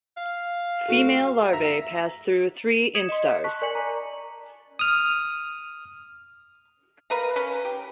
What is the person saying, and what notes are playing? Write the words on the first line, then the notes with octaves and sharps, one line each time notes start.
Female larvae pass through three instars.
F5
A3 F#4
E5 A#5
D#6 G#6 B6 C#7 E7
D#5 C6
A5 C#6 F#6 B6
A#4 D5 G#5 C#7 F#7
A#5 D6
D#6 F6
A#4 B4 F5 A#5
C#4 B4
G4